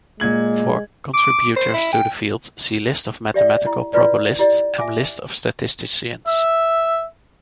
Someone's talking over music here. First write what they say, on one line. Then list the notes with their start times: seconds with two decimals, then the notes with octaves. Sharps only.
For contributors to the field, see list of mathematical probabilists and list of statisticians.
0.20 A#2 G#3 G#6 F#7
1.14 D6
1.56 C5
1.74 E4
1.92 G5
3.34 G4 D5 E5 G5
3.67 E4
3.93 E4 F4 B4 D5
4.39 E4 G4 D5 D#5
4.78 E5 G#5 D6
6.27 E5